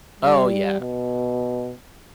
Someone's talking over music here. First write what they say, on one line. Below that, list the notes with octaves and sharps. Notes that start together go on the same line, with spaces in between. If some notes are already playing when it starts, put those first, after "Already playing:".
Oh, yeah.
G3
B2